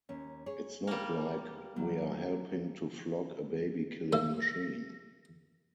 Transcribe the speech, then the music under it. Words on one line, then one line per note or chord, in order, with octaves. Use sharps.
It's not like we're helping to flog a baby-killing machine.
D#2 C#4
G#4 C#5
G3 A#3
D2 F#3
A3 A#3 A4 A#4